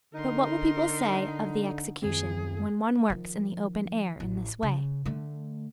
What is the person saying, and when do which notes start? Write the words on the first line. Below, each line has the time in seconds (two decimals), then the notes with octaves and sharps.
But what will people say of the execution when one works in the open air in this way?
0.14 D3 D#4 A#4 C6
2.02 F#2 D#3 C4 G#4
3.10 D#3 F3
4.20 A1
4.63 C#3
5.05 D3 A3